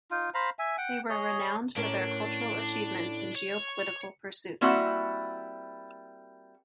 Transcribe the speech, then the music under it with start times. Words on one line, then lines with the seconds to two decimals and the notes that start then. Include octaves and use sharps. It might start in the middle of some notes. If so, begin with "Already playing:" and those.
They were renowned for their cultural achievements and geopolitical pursuits.
0.11 D#4 F4
0.34 C5 F5 A#5 B5
0.59 E5 G#5
0.78 F#5 G5
1.09 G#4 C#5 D#5
1.76 A2 C#4 D4 A#4
3.35 C#5
4.61 G3 A#3 C4 E4 F#4 F#5